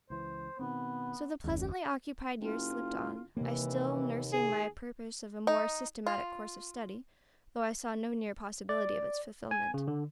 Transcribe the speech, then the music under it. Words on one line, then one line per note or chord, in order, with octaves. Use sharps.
So the pleasantly occupied years slipped on, I still nursing my purpose of a more systematic course of study, though I saw no near possibility of its fulfillment.
C#2 E3 C5
B2 D#3 B3 C4
F#1 D#2 G#3 C#4
F#1 F4
D#2 C3 E3 A#3
G#4
D#4
F4
D5
G#5
C#3
D3